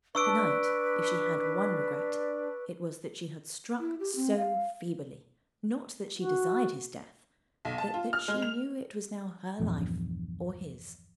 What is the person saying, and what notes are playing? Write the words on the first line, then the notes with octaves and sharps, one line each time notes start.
To-night--if she had one regret it was that she had struck so feebly: not that she desired his death, but that she knew it was now her life or his.
D4 B4 C#6 E6 D7
E4
G4
C4
F5
F#4
B1
A5
F4
F6
G#3
F7
A#1 E2 G2